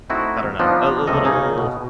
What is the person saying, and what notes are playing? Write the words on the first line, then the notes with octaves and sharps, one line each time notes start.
I don't know, a l little,
A3 C4 D#4 E4 F#4
F3 B3 C4 D4 D#4 F4
C#2 C3 F3 A#3 A4 D#5
C#3 D#4 G#4 A#5
B2